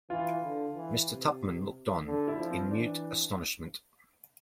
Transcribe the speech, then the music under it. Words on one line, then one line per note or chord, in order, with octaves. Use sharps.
Mr. Tupman looked on, in mute astonishment.
E3 F4
D3
E3
C3
D3
E4
F3
C4
E3 D4